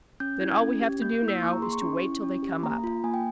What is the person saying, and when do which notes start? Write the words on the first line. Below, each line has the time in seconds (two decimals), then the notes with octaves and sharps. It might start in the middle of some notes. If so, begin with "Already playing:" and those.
"Then all we have to do now is to wait till they come up."
0.20 C#4 G6
0.41 E4 G#6
0.61 C#4
0.81 G4
1.01 A#3 G6
1.15 G6
1.22 E4
1.28 E6
1.42 A#3 C#6
1.53 A#5
1.62 G#4 C6
1.73 C#6
1.82 C#4
2.03 E4
2.23 C#4
2.43 G4
2.63 A#3 A#5
2.84 F4
3.04 A#3 G#5
3.14 G5